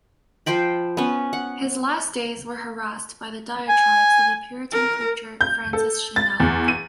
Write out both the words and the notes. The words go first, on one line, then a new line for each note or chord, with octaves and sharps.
His last days were harassed by the diatribes of the Puritan preacher, Francis Cheynell.
F3 C5 G5 B5
B3 C#4
F#5
G#5
A#4
G6
A4
A6
E2
D#7